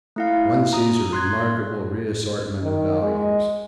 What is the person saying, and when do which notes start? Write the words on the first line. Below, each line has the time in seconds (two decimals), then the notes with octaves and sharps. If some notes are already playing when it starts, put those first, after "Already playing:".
One sees a remarkable reassortment of values.
0.16 A3 E4 F5
0.73 A#5 D#6
1.13 C6 F#6 G#6
2.64 D#3
3.02 G#3